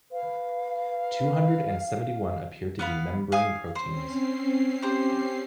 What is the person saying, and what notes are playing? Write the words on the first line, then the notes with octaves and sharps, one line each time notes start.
Two-hundred and seventy one appear to be membrane proteins.
B4 F5
B3 F5 B5
F5 G#5 D#6
C4 C#4 C5 C7
G4 C5